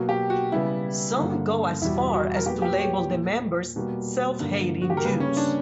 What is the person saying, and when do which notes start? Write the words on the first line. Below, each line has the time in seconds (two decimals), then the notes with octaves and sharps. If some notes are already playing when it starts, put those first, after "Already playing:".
Some go as far as to label the members self-hating Jews.
Already playing: B2 F#3 A#3
0.09 G4
0.30 F#4
0.52 C#3 G3 B3 E4
1.17 G2 D3 A#3
1.81 E2 B2 G3 E4
2.14 F#4
2.36 A#4
2.45 A#2 F#3 B3 G4
2.62 G4
2.79 C#5
3.10 A#2 A#3
3.76 B2 G3 A#3
4.40 G2 D3 A#3
4.82 F#4
4.90 G4
4.97 A#4
5.05 C#3 G3 A#3 B4
5.20 C#4
5.37 D4